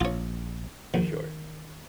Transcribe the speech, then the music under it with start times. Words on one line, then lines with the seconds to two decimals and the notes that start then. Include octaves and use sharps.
For sure.
0.01 A#1 F4 C#5
0.94 A#1 D#3